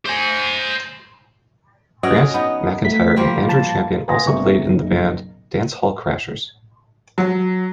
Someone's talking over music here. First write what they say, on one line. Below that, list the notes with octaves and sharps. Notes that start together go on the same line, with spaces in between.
Grant McIntire and Andrew Champion also played in the band Dance Hall Crashers.
C5 G#5
C#4 F#4 D5 D#5
B3 D#4
A3 B6
F3 G3 A#3
A5
B4 F5 G#5 C6 D#6 A#6
G1 C3 A3 D5 C#6
F#1 B1
F#3